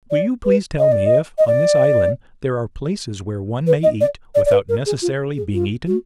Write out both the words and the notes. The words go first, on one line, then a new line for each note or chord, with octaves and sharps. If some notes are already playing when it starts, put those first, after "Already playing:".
"Will you please tell me if, on this island, there are places where one may eat without necessarily being eaten?"
D5
B4
D#5
D5
D#5
D#5
D5
B4
D#5
D5
D5
D5
B4
A#4
G#4
F4
G#4
F4
F#4